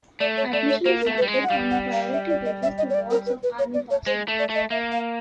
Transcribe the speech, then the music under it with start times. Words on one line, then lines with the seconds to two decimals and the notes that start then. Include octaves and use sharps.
Admission is granted on a priority basis to wards of Army personnel.
0.20 A3 D5
0.37 C#5
0.53 A3 D5
0.70 C#5
0.85 A#3 C5
1.01 A#4
1.07 A3
1.18 B4
1.22 G3
1.28 G#3
1.34 C5
1.44 F#5
1.49 G3 F5
1.71 F#5
1.93 F5
2.13 E5
2.30 D5
2.45 D#5
2.63 E5
2.78 D#5
2.90 C#5
2.94 D5
3.11 A#4
3.26 B4
3.43 B4
3.59 C#5
3.74 D5
3.91 C#5
4.06 G#3 C5
4.28 A3
4.39 D5
4.49 A3
4.55 D#5
4.70 A#3 E5
4.92 F5